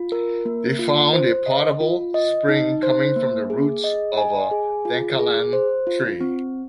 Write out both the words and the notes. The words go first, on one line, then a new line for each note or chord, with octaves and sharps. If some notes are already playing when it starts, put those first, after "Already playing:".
They found a potable spring coming from the roots of a Dankalan Tree.
Already playing: F4
A#4
A#3
F4
C5
D#5
F4
D#5
D#4
C5
A#3
G#4
D#5
G#5
G#4
F4
G#4
C5
F4
C4